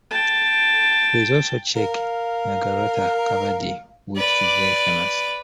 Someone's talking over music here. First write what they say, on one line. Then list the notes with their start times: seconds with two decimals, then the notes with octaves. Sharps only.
Please also check Nagarathar Kavadi which is very famous.
0.10 G5 A5
1.76 A#4 F5
4.17 B4 D5